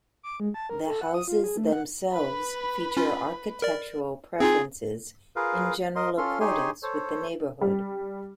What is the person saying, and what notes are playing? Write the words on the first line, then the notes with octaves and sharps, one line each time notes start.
The houses themselves feature architectural preferences in general accordance with the neighborhood.
D6
G#3
A5
A#4
A4
F#5
D#6
F4
G#4
A3
F#5
B4 B5
C#4 F4
A#4 D5
C4 D#4 F4 G#4
F4 G#4 A#4 B4 F5
A#4 D#5 C6
C#4 F4 A4 C6 F6
D#4 G4 G#4 C#5 G#5 C6
A4 C5 C#5
G3